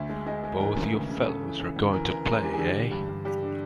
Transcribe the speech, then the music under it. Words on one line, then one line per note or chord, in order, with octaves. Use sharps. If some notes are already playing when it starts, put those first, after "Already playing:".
Both you fellows are going to play, eh?
Already playing: D2 E5
G#3
G#3 D#5
G#3
E3 A#4
C#3
D2
C#3
C#3 A4
E3
E3
D2
E3 A#4
E3 A#4
G#3 A#4
E3 G4
G#4
D3 G4
D3
G2
G2
G2 G4
D3